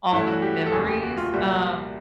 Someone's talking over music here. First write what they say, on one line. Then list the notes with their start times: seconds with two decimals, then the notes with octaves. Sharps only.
off of memories, um,
0.13 G2 E3 A3 C#4 E4
0.28 F#4
0.42 G4
0.66 A4
0.72 F1 D#2 C#3 G#4
0.88 G4
1.03 F#4
1.18 F4
1.33 C2 A#2 G3 F#4